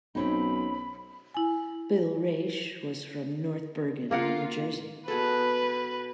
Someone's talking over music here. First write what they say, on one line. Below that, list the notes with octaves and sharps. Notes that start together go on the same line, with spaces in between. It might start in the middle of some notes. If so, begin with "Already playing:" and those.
Bill Raisch was from North Bergen, New Jersey.
B1 C4 C#4 D#4 B5
E4 G#5
A#3 F4 A#4 F#5
B2 G#4 A4 B4